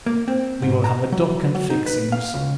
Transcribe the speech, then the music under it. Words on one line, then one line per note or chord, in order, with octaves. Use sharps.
We will have a duck and fixings.
A#3
C4
G#2
A#5
F#3
F#3
D#4
B4
F5
C#2